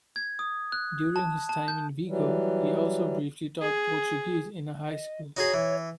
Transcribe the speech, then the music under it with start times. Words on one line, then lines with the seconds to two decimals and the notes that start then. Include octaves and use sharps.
During his time in Vigo, he also briefly taught Portuguese in a high school.
0.16 G#6
0.39 D#6
0.72 F#6
1.16 A5
1.49 A5
1.68 G6
2.08 E3 F#3 G3
3.61 G#4
4.89 D#5
5.37 D#4 F#4 G#4 C#5
5.54 E3